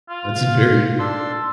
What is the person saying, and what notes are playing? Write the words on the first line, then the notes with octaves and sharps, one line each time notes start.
That's very
F4
F5
D4 A4 C6 E6